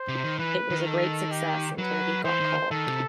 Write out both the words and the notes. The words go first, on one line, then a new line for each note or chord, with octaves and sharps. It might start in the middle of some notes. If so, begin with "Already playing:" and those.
It was a great success until he got caught.
Already playing: C5
C3
D#3
E3 B4
D#3
A4
G4
F#3 B4
E3 C5
D#3
D#3 A4
C3